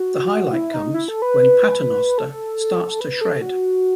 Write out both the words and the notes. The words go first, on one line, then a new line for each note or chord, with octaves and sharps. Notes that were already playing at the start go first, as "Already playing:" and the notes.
The highlight comes when Paternoster starts to shred.
Already playing: F#4
E4
D#4
E4
A4
B4
A4
B4
A4
F#4